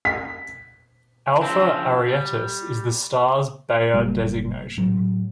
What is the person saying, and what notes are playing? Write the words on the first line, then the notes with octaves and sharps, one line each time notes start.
"Alpha Arietis" is the star's Bayer designation.
B6
C#3 F3 C4 D4
G3
F#1 G3 A#3
A2 F#3